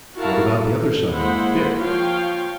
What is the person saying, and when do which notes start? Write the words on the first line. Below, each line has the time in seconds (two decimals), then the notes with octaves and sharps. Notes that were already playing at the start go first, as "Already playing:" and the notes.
"What about the other son--Dick?"
0.16 E4 F#4 A#4 F5 A5 A#5
0.51 A4
1.10 G#3 A#3 E4 C5 F#5 B5
1.77 F3 F4 C#5 F5 G5